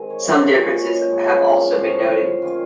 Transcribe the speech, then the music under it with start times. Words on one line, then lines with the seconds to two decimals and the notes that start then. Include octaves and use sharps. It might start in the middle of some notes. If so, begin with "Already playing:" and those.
Some differences have also been noted.
Already playing: D#3 G#3 C4 D#5
0.10 C#5
0.42 A#2 F#3 C#4 C5
0.59 D#5
0.76 C#5
0.93 D#5
1.10 F#2 C#3 F3 G#3 C#5
1.42 A#4
1.75 F#2 F3 C4 C5
1.92 C#5
2.09 C#5
2.25 C5
2.42 D#3 A#3 C#4 F4